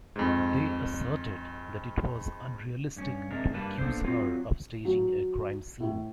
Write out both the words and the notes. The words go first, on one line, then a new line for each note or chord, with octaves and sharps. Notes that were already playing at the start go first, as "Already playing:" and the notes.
They asserted that it was unrealistic to accuse her of staging a crime scene.
F2 G#2
G2 C#4
C3 G#3 D4 A#4
G2 G3 A#3 B4 A5
A#3 B3 D4 A4 C5
F#3 C4 F4
F#3
A2